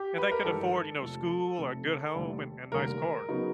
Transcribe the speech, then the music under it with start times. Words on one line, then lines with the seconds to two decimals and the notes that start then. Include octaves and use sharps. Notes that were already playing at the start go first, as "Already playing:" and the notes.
and they could afford, you know, school or a good home and and nice cars.
Already playing: G4
0.18 B4
0.31 A#4
0.44 G#1 G2 E3 G3 A4
1.01 F1 F2 C3 F3
1.58 F1 F2 C3 F3
2.15 F1 D#2 D3 G3
2.72 F1 D#2 D3 G3 A#4
3.28 C#3 F#3 B3 D#4 F#4